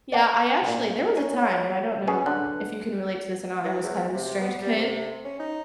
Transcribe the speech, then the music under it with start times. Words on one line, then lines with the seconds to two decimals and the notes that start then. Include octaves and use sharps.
yeah, I actually, there was a time, and I don't know if you can relate to this or not, I was kind of a strange kid,
0.12 D5 F#5 A5
0.68 A#2
1.17 C#5 G#5
2.08 C#4 G#4 B4
2.26 D3 F#6
3.64 E3
3.83 E2
4.14 C3
4.41 B3
4.61 G3
4.76 C3
5.24 C#4
5.39 D#4